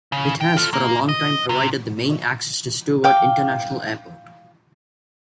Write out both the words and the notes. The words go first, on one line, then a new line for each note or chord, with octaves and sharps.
It has for a long time provided the main access to Stewart International Airport.
C#3
G5
F4 A4
A#3
D#5
C3
F5 G5 D6